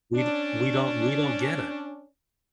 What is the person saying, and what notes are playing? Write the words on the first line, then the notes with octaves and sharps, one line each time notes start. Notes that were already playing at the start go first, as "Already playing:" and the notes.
we d we don't we don't get it.
C#4 D4